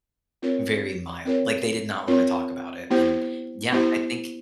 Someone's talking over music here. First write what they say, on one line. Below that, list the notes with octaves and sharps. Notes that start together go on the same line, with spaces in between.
very mild. Like, they did not wanna talk about it, and, yeah, I think,
C4 F4 A#4 C#5
C4 F4 A#4 C#5
C4 F4 A#4 C#5
B3 E4 G4 C5
B3 E4 G4 C5